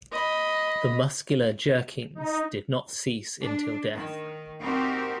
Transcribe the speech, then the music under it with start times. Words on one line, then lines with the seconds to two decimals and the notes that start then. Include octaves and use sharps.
The muscular jerkings did not cease until death.
0.11 D#5 B5
2.15 D#4
3.41 D4
3.93 D#3
4.61 C4 D#4 F#4 G4 A#4